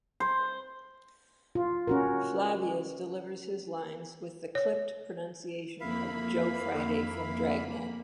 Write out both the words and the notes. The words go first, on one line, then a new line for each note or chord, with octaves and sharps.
Flavius delivers his lines with the clipped pronunciation of Joe Friday from "Dragnet".
C5
F4
C#4 F#4 A#4
C#5
F2 A#3 E4 E5 F5 B5